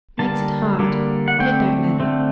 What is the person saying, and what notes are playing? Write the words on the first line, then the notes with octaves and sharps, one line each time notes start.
Makes it hard; but it don't matter.'
D3 G3 A#3 A5
D3 G3 A#3
F#5
D3 A3 C4 G5
D3 A3 C4